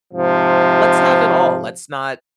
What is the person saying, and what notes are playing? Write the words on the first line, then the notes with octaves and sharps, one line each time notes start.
Let's have it all. Let's not
G#2 C3 F3